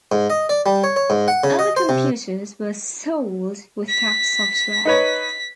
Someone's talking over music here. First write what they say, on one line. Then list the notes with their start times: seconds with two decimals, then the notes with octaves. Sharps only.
Early computers were sold without software.
0.12 G#2
0.30 D#5
0.49 D5
0.66 G3
0.84 C#5
0.96 C#5
1.10 G#2
1.28 F#5
1.44 C#3
1.59 D#5
1.76 C5
1.89 C3
3.89 B6
4.85 D#4 B4 C#5